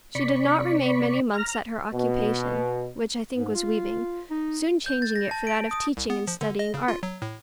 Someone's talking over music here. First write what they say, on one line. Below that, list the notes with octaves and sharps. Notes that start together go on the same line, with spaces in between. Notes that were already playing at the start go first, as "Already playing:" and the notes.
She did not remain many months at her occupation,--which I think was weaving,--soon changing it for that of teaching and studying art.
C3 D5 B5 C#6
A#5 F6
B2
G#2
F4
D#4
G6
A6
A#6
A5
D7
D#6
C2
B3
F3
D3
D#5
C#3
F4
F#3
A2